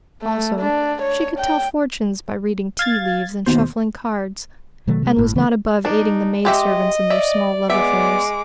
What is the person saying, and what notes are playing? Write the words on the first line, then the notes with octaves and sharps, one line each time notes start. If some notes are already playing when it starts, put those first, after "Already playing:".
Also, she could tell fortunes by reading tea-leaves and shuffling cards, and was not above aiding the maid servants in their small love affairs.
A3
D4
C#5
G5
F5 G#6 A6
D#2 B2 C5
B2 D#3 F#3 A3
C3 G#3
G1 A2
C#3 E3 G3 A3
D4 D#4
G#3 G4 D#5 E5
D5 E5
G#3 B3 D5 E5 D6